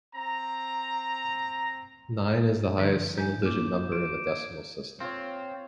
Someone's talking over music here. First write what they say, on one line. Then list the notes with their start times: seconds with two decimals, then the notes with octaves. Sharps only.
Nine is the highest single-digit number in the decimal system.
0.15 C4 A#5
2.77 D3 F3 D#4
3.18 D#4 G#5 G6
3.42 A#3 D6 E7
3.92 F#4 D7
4.27 G#6
5.00 C4 F4 C#5